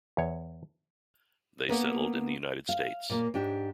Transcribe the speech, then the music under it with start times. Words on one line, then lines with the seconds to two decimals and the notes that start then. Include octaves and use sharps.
They settled in the United States.
0.17 E2 C#5
1.69 A#3 B3 A#4 B4
2.69 F5
3.10 A#2 A#3
3.34 G#2 D4 G4